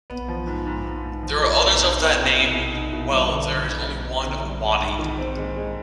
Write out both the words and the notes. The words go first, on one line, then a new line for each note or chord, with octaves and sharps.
There are others of that name, while there is only one Watty.
B3
F3
G#2
G#2
G#2
G#2
F3
G#3
C2
D#4
B3
B2
C2
C2
D#4
B2
G3
D3
D3
D3
G3
C4
D3
G3
G#3
G#2
D#3
C4
G#3
G#3